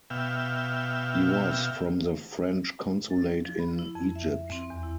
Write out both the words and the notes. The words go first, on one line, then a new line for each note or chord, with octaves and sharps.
He was from the French consulate in Egypt.
B2 E5 F5 G5
A6
F3
B5
E4
F2
E5
C4
E2
E4